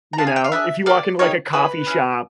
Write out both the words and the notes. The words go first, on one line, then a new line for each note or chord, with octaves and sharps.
You know? If you walk into, a coffee shop
A#5
D4 F4 G#4 A5
G#5
G5
F5
D4 F4 G#4 E5
A#3 D#4 G4 D5
A#3 D#4 G4 C#5
C#4 E4 G#4 B4
C#4 E4 G#4